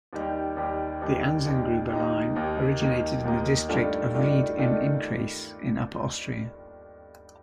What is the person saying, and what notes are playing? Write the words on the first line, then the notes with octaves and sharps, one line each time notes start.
The Anzengruber line originated in the district of Ried im Innkreis in Upper Austria.
D#2 D#3 G3
D#2 D#3 G3
D#2 D#3 G3
D#2 D#3 G3
D#2 D#3 A#3 D#4
D#2 D#3 A#3 D#4
D#2 D#3 A#3 D#4
D#2 D#3 A#3 D#4
G2 D#3 A3 D4 F4
G2 D#3 A3 D4 F4
D#3 A3 D4 F4